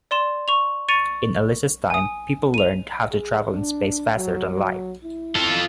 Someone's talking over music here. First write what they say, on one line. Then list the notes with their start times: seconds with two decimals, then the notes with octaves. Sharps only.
In Alisa's time people learned how to travel in space faster than light.
0.11 D5 C6 E7
0.48 C#6 F7
0.88 C#6 A6 C#7 D#7 F7
1.90 G#5 D#6
2.54 D#7 F7
3.11 G#4
3.53 D4
4.16 F#3
4.52 F#3
5.03 E4
5.36 F4 A4